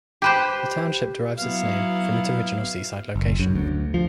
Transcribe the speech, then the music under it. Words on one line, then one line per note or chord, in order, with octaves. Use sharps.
The township derives its name from its original seaside location.
G4 B4 C5
F#3 B3 E4 F5
F#1
F#2
D2
F3